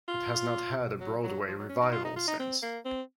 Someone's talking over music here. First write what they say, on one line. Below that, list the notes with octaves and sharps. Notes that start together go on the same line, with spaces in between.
It has not had a Broadway revival since.
F4
F#3
F#3
F3
F#3
C#4
D#4
F4
D#4
F4
D#4
C4
A#3
C4